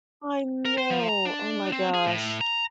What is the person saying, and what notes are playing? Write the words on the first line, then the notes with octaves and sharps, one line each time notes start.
I know. Oh my gosh.
A#4
C5
F3
A#5
D4
C4
G#4
A2
A#5